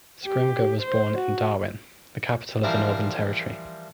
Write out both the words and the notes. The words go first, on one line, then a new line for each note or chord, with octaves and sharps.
Scrymgour was born in Darwin, the capital of the Northern Territory.
G4
C5
F#4
E3 F3 G3 C4 A#4